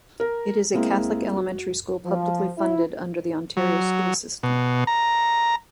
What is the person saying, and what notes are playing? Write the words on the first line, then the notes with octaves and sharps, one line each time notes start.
It is a Catholic elementary school publicly funded under the Ontario school system.
A#4
G#3 A#3 C4 E4
F#4
F3
E4
F#3
B2
A#5